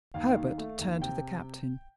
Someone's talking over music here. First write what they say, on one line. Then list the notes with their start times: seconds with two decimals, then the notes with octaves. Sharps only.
Herbert turned to the Captain.
0.14 D#2 F5
0.37 D#3
0.58 A3
0.80 D#2
1.01 C3 G5